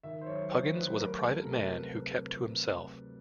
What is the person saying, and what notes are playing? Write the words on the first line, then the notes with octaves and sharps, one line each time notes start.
Huggins was a private man who kept to himself.
D#3 E5
C5
F#3 C#5
F#3 C5
A3 B4
B4
G3 A#4
D2 A4
C3 A#4
B4
A#4